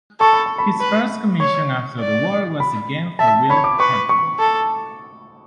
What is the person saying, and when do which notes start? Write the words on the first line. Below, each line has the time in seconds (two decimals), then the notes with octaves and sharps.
His first commission after the war was again for Will Catlin.
0.20 A4 C#6
0.33 B5
0.46 A5
0.58 B5
0.80 B4
1.40 C#5 C#6
2.00 D5
2.60 B5
3.19 E5 A5
3.50 C#5 B5
3.64 D6
3.79 B4 C#6
4.09 C#6
4.39 A4